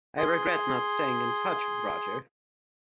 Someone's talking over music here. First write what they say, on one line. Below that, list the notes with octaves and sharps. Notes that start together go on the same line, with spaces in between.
I regret not staying in touch with Roger.
G#4 C6